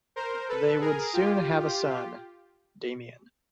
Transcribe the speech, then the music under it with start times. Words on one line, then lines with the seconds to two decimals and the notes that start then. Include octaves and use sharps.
They would soon have a son, Damian.
0.16 A#4 C5
0.49 A4 B4
0.81 G#4 A#4
1.13 F4 G4